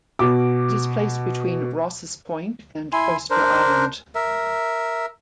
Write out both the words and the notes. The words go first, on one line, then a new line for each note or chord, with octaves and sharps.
It is placed between Rosses Point and Oyster Island.
B2 D6
E4 G#5 C6
D4 A#4 C5
A#4 E5